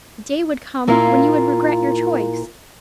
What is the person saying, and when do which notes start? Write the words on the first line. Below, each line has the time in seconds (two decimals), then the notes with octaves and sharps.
The day would come when you would regret your choice.
0.87 A#2 A#3 E4 F4 A#4